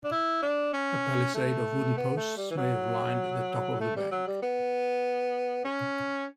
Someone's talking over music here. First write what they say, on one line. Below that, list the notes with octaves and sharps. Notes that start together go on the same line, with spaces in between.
A palisade of wooden posts may have lined the top of the bank.
D4
E4
D4
C#4
A3
B3
A3
G3
E3
F#3
A3
G3
F#3
G3
B3
C#4